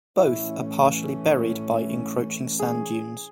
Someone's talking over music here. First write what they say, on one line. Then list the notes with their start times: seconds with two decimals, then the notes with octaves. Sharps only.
Both are partially buried by encroaching sand dunes.
0.19 A2 E3 A3 C#4 E4
2.60 G#4